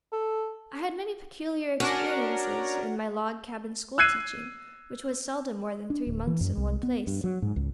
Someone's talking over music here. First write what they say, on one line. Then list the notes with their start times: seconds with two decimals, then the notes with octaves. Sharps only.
I had many peculiar experiences in my log-cabin school-teaching, which was seldom more than three months in one place.
0.12 A4
1.80 C#4 D4 F#4 A#4
3.98 E6 F#6 G#6 C7 D#7
5.90 D4
6.07 D1
6.27 E3
6.41 F#2
6.57 C2
6.83 B3
7.07 G2
7.24 F#3
7.42 G#2
7.56 C#2